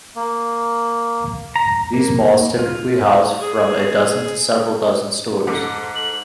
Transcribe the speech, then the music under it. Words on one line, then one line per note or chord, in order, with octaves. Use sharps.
These malls typically house from a dozen to several dozen stores.
A#3
A#5
A#3
F4
G#4
G#2 A4 D6
F#7